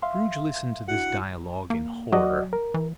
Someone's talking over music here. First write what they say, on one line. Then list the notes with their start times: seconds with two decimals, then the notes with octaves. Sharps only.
Scrooge listened to this dialogue in horror.
0.02 E5 F5 C6
0.88 D4 E4 F#4 F#5
1.70 A#3
2.12 F#3 F#4 D5 D#5
2.53 A#4
2.74 E3